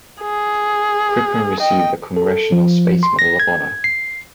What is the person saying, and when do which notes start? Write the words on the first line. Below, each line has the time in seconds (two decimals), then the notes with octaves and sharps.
Crippen received the Congressional Space Medal of Honor.
0.21 G#4
1.60 D#5 G5
2.17 A4
2.52 F3
3.03 C6
3.19 A#6
3.40 G#6
3.84 C7